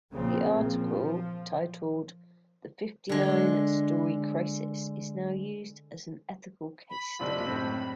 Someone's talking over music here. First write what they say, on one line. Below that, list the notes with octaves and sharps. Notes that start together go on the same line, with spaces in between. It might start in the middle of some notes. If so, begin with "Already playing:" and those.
The article, titled "The Fifty-Nine-Story Crisis," is now used as an ethical case-study.
A#2 C#3 F3 A#3 C4
F3
D3 G#3
B5
F#1 C3 F3 F4 D5
A2 C4